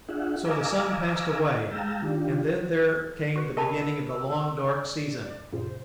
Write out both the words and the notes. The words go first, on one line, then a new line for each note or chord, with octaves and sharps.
So the sun passed away, and then there came the beginning of the long dark season.
D4 F4 G#4 E5 F#5
D#5 F5 G#5 A#5 D6 E6
G#3 F5 G5 A5 A#5 E6
D#3 D4 F4 G4
F#4 B4 C#6
A#4 D#5 G#5 A5 B5
E6
D5
F#2 A#2 C#3 C5